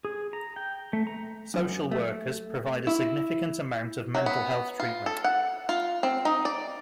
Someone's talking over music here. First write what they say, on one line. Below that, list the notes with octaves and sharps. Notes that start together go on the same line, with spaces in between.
Social workers provide a significant amount of mental health treatment.
G#4
A#5
G5
A3
A#5
F#2
A3
E4
F#3
B3
F4
A4
F#5
F4
C4
D#4
D5